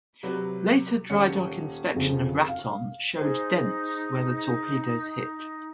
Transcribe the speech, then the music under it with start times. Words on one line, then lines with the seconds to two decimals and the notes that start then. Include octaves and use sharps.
Later dry-dock inspection of Raton showed dents where the torpedoes hit.
0.23 C3 F#3 B4
1.09 D#1 C#4 C#7
1.95 F2 C#3
2.48 F5
3.18 D#4 G#4 C5